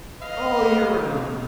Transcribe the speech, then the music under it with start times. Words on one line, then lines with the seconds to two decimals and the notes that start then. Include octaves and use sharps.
All year round.
0.20 B4 D#5 F5